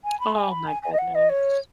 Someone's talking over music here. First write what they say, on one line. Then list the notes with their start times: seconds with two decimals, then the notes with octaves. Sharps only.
Oh, my goodness.
0.04 G#5
0.20 B5
0.35 G#5
0.51 B5
0.67 G#5
0.82 G#5
0.93 D#5
0.98 F#5
1.15 D#5
1.29 C#5